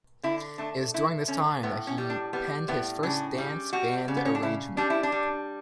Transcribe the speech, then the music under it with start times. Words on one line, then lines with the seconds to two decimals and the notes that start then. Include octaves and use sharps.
It was during this time that he penned his first dance band arrangement.
0.23 D3 E4
0.58 A3 D4
0.94 A3 E4
1.28 D3 C#4
1.63 A2 B3
1.87 C#4
1.98 G3
2.10 D4
2.33 G3 B3
2.68 A2 B3
3.03 C#3 D4
3.38 G3
3.73 G3 F#4
4.08 C#3
4.17 B3
4.25 C#4
4.35 D4
4.42 C#3 E4
4.77 G3 D4
4.90 E4
5.03 D4
5.12 G3